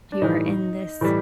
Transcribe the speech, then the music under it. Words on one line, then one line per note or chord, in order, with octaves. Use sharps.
you are in this
D4
A2 E3 G3 D#4
A2 E3 G3